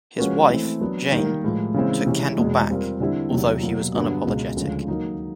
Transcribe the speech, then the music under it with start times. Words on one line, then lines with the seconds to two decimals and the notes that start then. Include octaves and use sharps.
His wife, Jane, took Kendall back, although he was unapologetic.
0.18 F3 G#3 C#4 F#4 B4
0.50 E3 A3 C4
0.81 F#3 B3 D4
1.12 D#3 G3 A#3
1.43 A2 F3 G#3
1.74 C#3 E3 G#3 C4
2.06 C3 E3 G#3 C#4
2.37 E2 B2 G#3
2.69 G3 C4 F4 A#4
3.00 D3 G3 C4 E4
3.31 E2 C3 D#3 F#3
3.63 B2 F#3 A#3
3.94 G2 D3 F#3 B3 D4
4.25 C#2 B2 G#3
4.57 D2 C#3 F3 G#3
4.88 D#3 F#3 A#3 D#4